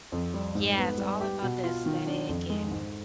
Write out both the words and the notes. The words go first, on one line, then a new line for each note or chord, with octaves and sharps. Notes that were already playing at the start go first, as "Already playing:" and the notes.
Yeah, it's all about the aesthetic and,
F2
G3
G#2
B3
G3
G4
B2
F4
D#3
D4
F2
G#3
G#2